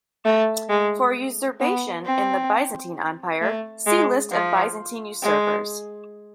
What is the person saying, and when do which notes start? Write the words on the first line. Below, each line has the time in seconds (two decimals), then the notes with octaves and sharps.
For usurpation in the Byzantine Empire, see List of Byzantine usurpers.
0.25 A3
0.69 G#3
1.60 B3
2.06 C4
3.41 A3
3.86 G#3
4.31 F3
5.22 G#3